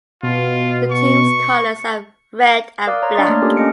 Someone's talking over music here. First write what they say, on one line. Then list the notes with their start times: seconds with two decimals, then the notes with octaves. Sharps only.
The team's colours are red and black.
0.23 B2 F4
0.91 C#6
2.87 A#4 D5 F5 D6 D#6 F#6
3.03 C#5 A#5 C6
3.14 D4 D5 D#5 C6 D#6 A6
3.28 A3 A#3 F6
3.42 C#4 D4 F4 G4 A4 A#4
3.56 C#4 D4 D#5 D#6 C#7 D7